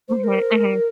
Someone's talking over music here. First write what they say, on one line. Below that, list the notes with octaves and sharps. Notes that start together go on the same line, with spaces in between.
Mhm. Mhm.
C5
A#4